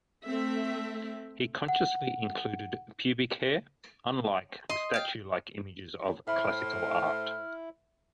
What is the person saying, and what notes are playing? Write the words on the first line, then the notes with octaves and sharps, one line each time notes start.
He consciously included pubic hair, unlike the statue-like images of classical art.
A3 C4 E5
F#5
D#5 C6
F5 G5
A2 E4 C5 E5 B5 F6